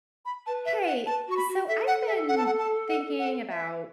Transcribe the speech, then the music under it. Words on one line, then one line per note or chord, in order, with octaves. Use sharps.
Hey. So I've been thinking about
B5
B4 A5
E5
F#5
B4 A5
F#4 C#6
B5
F#4
A4 E5
F#5
E5
F#5
A5
F#5
A5
F#5
F#5
E5